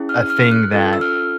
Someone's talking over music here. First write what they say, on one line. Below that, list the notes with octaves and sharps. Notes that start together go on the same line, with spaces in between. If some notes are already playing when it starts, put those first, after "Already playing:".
a thing that
Already playing: C#4 E4 G#4
F6
F6
F#6
C#4 F4 A4
E6
F6